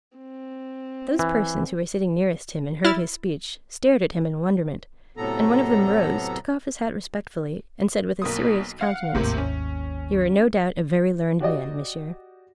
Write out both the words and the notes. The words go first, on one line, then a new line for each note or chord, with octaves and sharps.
Those persons who were sitting nearest him and heard his speech, stared at him in wonderment; and one of them rose, took off his hat respectfully, and said with a serious countenance, "You are no doubt a very learned man, Monsieur."
C4
E3
E4 F6 A6 E7
A2 C3 F#3 B3 A4 A#5
B1 A#3 D#6
F5 F#5
G#1 D#2 A2 C3 A#3
C#4
F#4 G4 D5 D#5